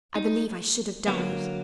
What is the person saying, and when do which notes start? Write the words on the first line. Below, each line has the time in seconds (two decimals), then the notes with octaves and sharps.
I believe I should have died.
0.16 D#4
1.07 D3 F#3 A#3 B3